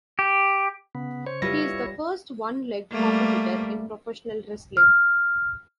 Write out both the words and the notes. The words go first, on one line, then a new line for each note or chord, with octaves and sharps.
He is the first one-legged competitor in professional wrestling.
G4
C#3 B3
C5 C#5
G3 E4 F4 B4 C#5 A#6
G3 A3 A#3
F6